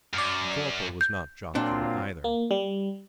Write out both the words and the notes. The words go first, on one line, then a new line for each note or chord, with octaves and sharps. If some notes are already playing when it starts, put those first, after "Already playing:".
The Corporal was not jocular either.
F#2 D5 F6
G6
A#2 F#3 C4 D4 F4
A#3
G3